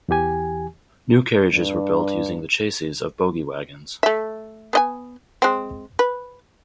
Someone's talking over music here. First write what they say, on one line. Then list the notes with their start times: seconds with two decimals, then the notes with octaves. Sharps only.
New carriages were built using the chasses of bogie wagons.
0.09 E2 E3 G4 G#5
1.54 G2
4.03 A3 E5
4.73 B3 D#5 G#5
5.42 G#3 C4
5.99 B4